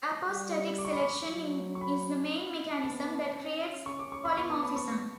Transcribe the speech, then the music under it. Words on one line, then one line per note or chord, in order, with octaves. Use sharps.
Apostatic selection is the main mechanism that creates polymorphism.
G3
D6
C#6
B5
C#6
F#3
C#6
B5
B3 A5
C#4
C#4 C#6
D6
C#6
B5
B3 C#6
A5
B5
C#6
C#6